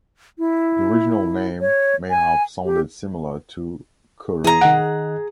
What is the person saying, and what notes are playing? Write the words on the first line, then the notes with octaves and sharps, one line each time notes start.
The original name may have sounded similar to "Korinn".
E4
C#5
G#5
G4
E3 G#4 A#5
D#3 D#5 F#5 F#6